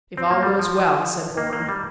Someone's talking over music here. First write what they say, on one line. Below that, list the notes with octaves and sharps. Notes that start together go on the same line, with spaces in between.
"If all goes well," said Bourne.
C4
A#3
G3
F3
A#3
A#3
G3